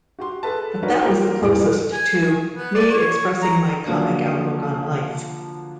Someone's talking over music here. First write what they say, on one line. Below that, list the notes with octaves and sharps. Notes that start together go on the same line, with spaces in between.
But that was the closest to me expressing my comic outlook on life.
F#4 G4 C6
G#4 A4 B4 A5
D#4 F#4 A#4 B4 C#5 D5
A#3 F4 G4 A#4 C5 G5
E1 A1 E2 A2 G3 D7
G#5
B3
D5
C#5
A#5
D3 F3 F#3 A#3 D4